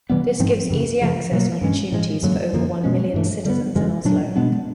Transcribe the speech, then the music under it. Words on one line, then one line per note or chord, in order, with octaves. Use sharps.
This gives easy access and opportunities for over one million citizens in Oslo.
C3 E3 G3 B3
G#2 F3 A3 C4
F#2 C#3 E3
C#3 F3 A3
B2 F#3 A#3
G2 E3 G#3 C#4
A2 F3 G#3
F#2 D3 F#3 A#3
F#2 D3 F3 A#3
B2 G#3 C#4
G2 E3 A3
D3 G3 B3
F#2 D3 F3 G#3
A#2 F#3 A3 D4
B2 G#3 B3 D4